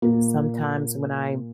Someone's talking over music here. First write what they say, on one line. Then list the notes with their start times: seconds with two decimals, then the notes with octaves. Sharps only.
sometimes when I
0.02 A#2 A#3